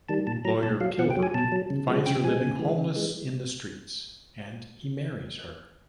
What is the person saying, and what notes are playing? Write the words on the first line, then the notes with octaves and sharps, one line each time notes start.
Lawyer Kilvert finds her living homeless in the streets and he marries her.
D#3 G3 A5
A#2 A5
F#3 A#5
A#2 A5
F#3 F5
B2 F#5
G5
F#3
G#5
B2 A5
F#3
C#3
F3 G#3
C#3 G5
F3 G#3 G#5
C#3
E3 G#3
C#3
E3 G#3